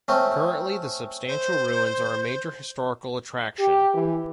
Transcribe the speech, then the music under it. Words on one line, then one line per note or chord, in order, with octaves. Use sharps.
Currently the substantial ruins are a major historical attraction.
A3 C4 C#4
C5
G4
E3